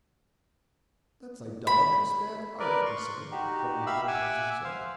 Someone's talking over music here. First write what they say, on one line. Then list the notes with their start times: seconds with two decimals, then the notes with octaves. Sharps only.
'That's idolatrous bad Art,' he said, drawing the book towards himself.
1.67 B5
2.60 A#4 B4 D5
2.86 C6 C#6
3.31 D#4 F#4 G4
3.87 G4 E5 F5 B5 E6
4.08 E5 F#5 G#5 D6 E6
4.64 C5 F5